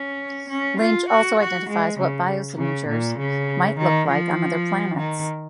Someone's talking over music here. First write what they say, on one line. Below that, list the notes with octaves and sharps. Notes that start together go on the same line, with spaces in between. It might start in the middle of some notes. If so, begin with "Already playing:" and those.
Lynch also identifies what biosignatures might look like on other planets.
Already playing: C#4
C#4
F4
F#4
F#4
G#3
C#3
C#3
A#2
C#3
D#3
F3
D#3